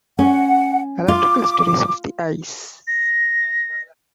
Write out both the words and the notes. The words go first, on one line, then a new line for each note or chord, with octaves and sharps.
Electrical studies of the eyes.
C#4 F#5
F4 D6
A#6